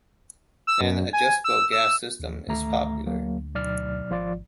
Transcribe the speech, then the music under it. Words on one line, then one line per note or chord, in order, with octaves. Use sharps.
An adjustable gas system is popular.
E6
F#2
G#5
E6
E6
D#2
G#1 D2 A3 A#5
F#3 A#3
B1 D5 F6
G#1 F3 F4 D5